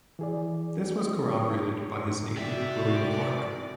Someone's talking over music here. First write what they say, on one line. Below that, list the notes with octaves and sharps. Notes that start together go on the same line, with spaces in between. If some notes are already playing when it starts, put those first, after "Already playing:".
This was corroborated by his neighbour, William Clarke.
E3 G#4 D5
C3 F#4 D5 E5